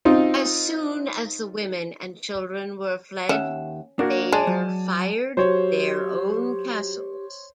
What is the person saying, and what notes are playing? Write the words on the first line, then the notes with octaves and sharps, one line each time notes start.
As soon as the women and children were fled, their fired their own Castles.
C4 D#4 F4
D#2 C#4 E5 F#5
A#3 D4 F#4
G#3 D5 G#5 A5
F#3
F#3 G4 C5 C#5